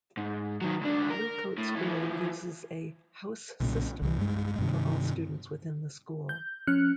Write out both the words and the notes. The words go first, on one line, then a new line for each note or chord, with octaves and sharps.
Blue Coat School uses a "house system"; for all students within the school.
G#2
D#3 F#3
C#2 D4
A#4
A2
E3 F3
B1 A#2 C#3
C2 E3
G2 G#3
G2 C3 D#3
G6
F3 C#4 F6 F#6 C#7